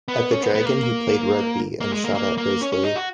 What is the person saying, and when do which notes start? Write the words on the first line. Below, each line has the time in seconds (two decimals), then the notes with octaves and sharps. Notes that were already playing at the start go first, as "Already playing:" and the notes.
At the Dragon he played rugby, and shot at Bisley.
0.08 B3
0.31 C#4
0.43 B3
0.55 B3
0.66 A#3
1.80 A#3
1.92 G#3
2.04 A#3
2.15 A#3
2.38 A#3
2.61 C#4
2.72 C#4
2.83 D#4
2.96 F#4